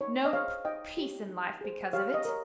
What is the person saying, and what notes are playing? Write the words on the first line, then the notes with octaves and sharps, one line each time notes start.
No p--peace in life because of it.
D#4 C#5
D#5
G#4 C5 C#5 F5
D#4 D#5 G5
G4 C#5
D#4
G#4 C5
G4 C#5 F5
D#5
A#4 C#5